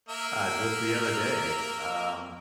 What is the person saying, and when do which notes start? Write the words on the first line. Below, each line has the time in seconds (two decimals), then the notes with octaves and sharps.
uh, just the other day, um,
0.09 A#3 A#4 E5